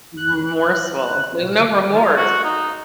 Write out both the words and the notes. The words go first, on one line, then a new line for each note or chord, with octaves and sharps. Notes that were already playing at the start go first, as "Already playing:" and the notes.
Remorseful, there's no remorse.
F#6
F4
F#4
D#4